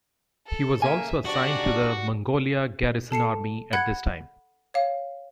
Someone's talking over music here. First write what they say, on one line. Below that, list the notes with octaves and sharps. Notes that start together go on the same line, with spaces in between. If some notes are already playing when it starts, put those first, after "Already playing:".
He was also assigned to the Mongolia Garrison Army at this time.
A4
C#3 A3 A#3 E5 G#5
G#2 D4 F#4 G4 D5
A4 A5 C7 C#7
F#5 B5 F#6 G#6 C#7
C#5 F5